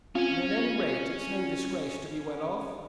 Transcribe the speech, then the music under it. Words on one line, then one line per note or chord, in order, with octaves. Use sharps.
'And at any rate, it is no disgrace to be well off.'
C4 C#4 F4 G#5